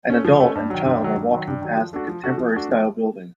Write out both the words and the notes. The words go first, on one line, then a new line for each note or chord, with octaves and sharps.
An adult and child are walking past a contemporarystyle building.
A3 C#4
F3
A3 C#4
G2
D#3 F#3
G2
D#3 F#3
G2
D#3 F#3
G2
D#3 F#3
F3
A3 D4 F#4
F3
A3 D4 F#4
F3
A3 D4 F#4
F3